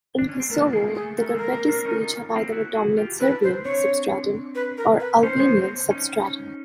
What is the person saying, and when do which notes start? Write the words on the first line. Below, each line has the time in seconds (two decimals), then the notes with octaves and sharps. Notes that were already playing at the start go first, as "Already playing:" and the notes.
In Kosovo, the Gurbeti speech have either a dominant Serbian substratum, or Albanian substratum.
0.19 D4
0.29 C#4
0.40 C4
0.50 A3 B3 A#4
0.73 G#3 A#3
0.90 A#3
0.95 A3 G#4
1.18 A3 A#4
1.27 A4
1.34 G#3 A#3 A#4
1.51 A#3 C4
1.68 C4 D4
1.85 C#4 D#4
2.02 D#4 F4
2.36 A#3 C4
2.52 E4 F#4
2.75 F#4 G#4
2.97 F4 G4
3.20 D4 E4 B4
3.43 C5
3.65 C4 D4 C#5
4.55 B4
4.78 A#4
5.00 B4
5.22 C#4 D#4 C5
5.40 B3 C#4
5.57 A#3 C4
5.90 C#4 D#4